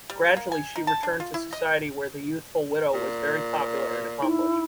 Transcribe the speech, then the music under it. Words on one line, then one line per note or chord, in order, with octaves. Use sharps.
Gradually she returned to society where the youthful widow was very popular and accomplished.
G3
A#3
G#5
D#4
A5
D4
F4
E4
D#5
A#2
D#4 E4